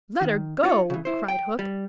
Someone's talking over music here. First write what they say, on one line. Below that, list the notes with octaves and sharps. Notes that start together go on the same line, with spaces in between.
"Let her go!" cried Hook.
D#3
D#4 F4 C#5
C#3 E3
E4 C5
G5
G3